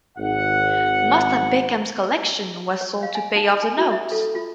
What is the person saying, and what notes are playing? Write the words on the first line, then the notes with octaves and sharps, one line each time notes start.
Most of Beckman's collection was sold to pay off the notes.
G#1 F#5
C#5
F5
G#5
D#4
G#5
F#4
E5
A4
F4